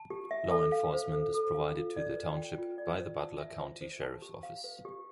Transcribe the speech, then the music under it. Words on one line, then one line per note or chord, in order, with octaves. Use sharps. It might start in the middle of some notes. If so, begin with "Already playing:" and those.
Law enforcement is provided to the township by the Butler County Sheriff's office.
Already playing: A5
G4
E5
A4
F5
C5
A4
A4
F5
F4
D5
B4
G5
F4
D5
C5
A5
E5
C5
C5
A5
G4
F5
B4
G4